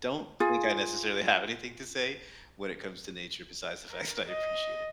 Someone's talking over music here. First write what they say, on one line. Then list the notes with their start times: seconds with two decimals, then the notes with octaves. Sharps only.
don't think I necessarily have anything to say when it comes to nature besides the fact that I appreciate it.
0.40 F4 G#4
3.90 A#4
4.27 D#5